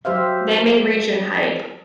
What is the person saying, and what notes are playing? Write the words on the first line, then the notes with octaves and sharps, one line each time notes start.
They may reach in height.
F#3 G4 C5 E5 F5